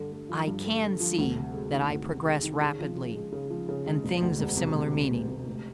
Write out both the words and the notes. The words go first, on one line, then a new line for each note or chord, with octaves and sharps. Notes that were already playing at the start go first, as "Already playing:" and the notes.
"I can see that I progress rapidly," and things of similar meaning.
Already playing: G2 D3
A3
F3
G2
D3
A3
F3
D2
C3
G#3
D#3
D2
C3
G#3
D#3
C#3
F3
C#3
G#3
C#3
F3
C#3
G#3
E1
D2
E1
C3
E1
D2
E1
C3
F1